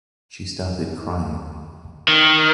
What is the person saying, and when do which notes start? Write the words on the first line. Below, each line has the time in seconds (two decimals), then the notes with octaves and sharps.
She started crying.
2.08 D#3